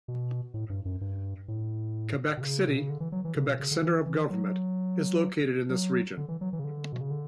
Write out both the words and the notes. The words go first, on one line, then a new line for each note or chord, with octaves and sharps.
Quebec City, Quebec's centre of government, is located in this region.
B2
A2
G2
F#2
G2
A2
B2
C#3
B2
C#3
D3
E3
F#3
E3
C#3
B2
C#3
D3
E3
E3
F#3
F#3
D3
E3
F#3
E3
C#3
D3
B2
C#3
D3